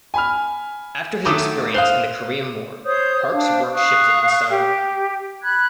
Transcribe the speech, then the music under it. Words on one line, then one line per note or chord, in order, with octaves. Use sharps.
After his experience in the Korean War, Park's work shifted in style.
G#5 B5 F6
D#3 F#3 A3 D6 D#6
C5 F5 D#6 F#6 C7
C5 C#5 D#6 G6
D4 C5 F5
F5 C#6 D#6 F#6
G4
B5 F#6 G#6